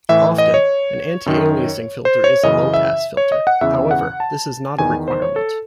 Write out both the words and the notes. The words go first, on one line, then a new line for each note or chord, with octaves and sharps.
Often, an anti-aliasing filter is a low-pass filter; however, this is not a requirement.
A2 E3 E5
D#5
C#5
F#2 D#3
C5
C#5
F#2 C#3 E3 D#5
E5
C#5
D#5
F#5
E2 C#3 E3 E5
F#5
A5
E2 D#3 G#5
C5
C#5
A4